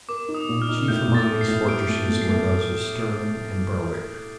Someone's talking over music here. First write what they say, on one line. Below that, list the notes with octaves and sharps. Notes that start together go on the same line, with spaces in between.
Chief among these fortresses were those of Stirling and Berwick.
A#4 D6
D#4
D#6
A#2
F6
D#4
A2 G6
A2
A6
A3
C7
A2
G4 D7
A3
A3
C7
A3